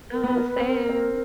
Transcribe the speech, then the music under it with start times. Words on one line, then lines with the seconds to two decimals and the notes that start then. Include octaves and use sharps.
Uh, same.
0.13 A#4
0.24 B3 B4
0.36 A#4
0.46 B4
0.56 C4
0.67 A#4
0.89 C4